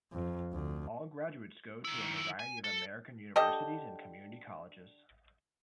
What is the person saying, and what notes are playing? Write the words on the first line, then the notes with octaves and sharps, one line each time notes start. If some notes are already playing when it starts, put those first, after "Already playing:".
All graduates go to a variety of American universities and community colleges.
F2
D2
D#3 E4
G#5
A4
D3 G4 A4 D#5